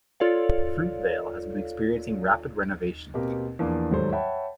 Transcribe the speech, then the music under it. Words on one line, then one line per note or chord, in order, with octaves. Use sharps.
Fruitvale has been experiencing rapid renovation.
F4 A4 C#5 D5 F5
B2 A#3 C4 G4 A#4
E2 F3 A#3 D4
D#2 G#2 F#3 G3 A4 C5
C#5 E5 F#5 G5 A5 B5